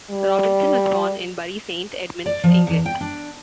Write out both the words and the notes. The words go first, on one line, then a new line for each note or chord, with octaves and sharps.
Robinson was born in Bury Saint Edmunds, England.
G3
D5
F3
E2
G5
D4